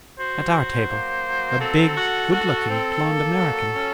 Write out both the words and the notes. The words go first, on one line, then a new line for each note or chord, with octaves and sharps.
At our table--a big, good-looking blond American.
F#4 C5
F#3
A#3
F#3
C4 A4
F#4
F#4
C4
A#3
F#3
C#4